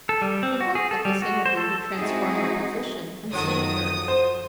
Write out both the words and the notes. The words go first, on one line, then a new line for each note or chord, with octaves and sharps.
She hoped that this interview would transform her position, and save her.
A4
G3
C4
F#4
G#4
A4
G3
F#4
C5
A4
G#3 C4 D#4 E4 F#4 G#4
F#2 D#3 F3 F#4 A4 D#6
C5